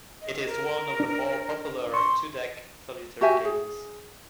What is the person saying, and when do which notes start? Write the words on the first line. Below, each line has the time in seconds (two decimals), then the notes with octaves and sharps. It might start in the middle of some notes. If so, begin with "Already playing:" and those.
It is one of the more popular two-deck solitaire games.
0.21 D#5
0.46 A#4
1.00 D4
1.94 C6 C#6
3.21 F#4 G4 E5 G#5
3.45 G#4